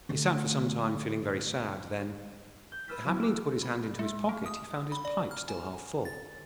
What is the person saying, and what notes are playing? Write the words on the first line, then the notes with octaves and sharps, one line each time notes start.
He sat for some time feeling very sad, then happening to put his hand into his pocket, he found his pipe still half full.
D3 A3
G6
B4 B5 E6 F6 A6 B6
F#3 B3 C#4 E4
D6 E6 F#6
B5
G#3
A3
D#6
B5
D5
F6
G#5
A6